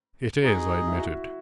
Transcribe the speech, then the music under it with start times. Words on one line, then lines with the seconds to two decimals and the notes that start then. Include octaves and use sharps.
"It is," I admitted.
0.43 D#4 F#4 G#4 D#5
0.88 E4
0.95 F#4
1.03 E4